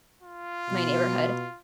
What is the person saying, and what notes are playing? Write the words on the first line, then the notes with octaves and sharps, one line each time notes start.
my neighborhood,
F4
B2